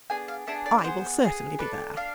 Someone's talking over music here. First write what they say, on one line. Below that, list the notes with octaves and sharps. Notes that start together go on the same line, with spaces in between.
I will certainly be there.
B3 D4 G#4 G#5
F5
B3 D4 G#4 E5
D5
D5
B3 D4 G#4 C5
B3 D4 G#4
D4 A4 B4
D4 F5